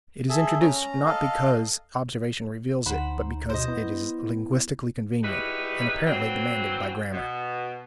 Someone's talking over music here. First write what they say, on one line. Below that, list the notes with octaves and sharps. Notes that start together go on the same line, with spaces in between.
It is introduced, not because observation reveals it, but because it is linguistically convenient and apparently demanded by grammar.
G#4 A4 E5
C#4 A#5
A4 D#5 F5
D2 D#4 C5 F#5 B5
B2 C5 D#5
B3 E4
G3 G#3 D#4 E4 F#4 B4
E3 F#3 C4
B2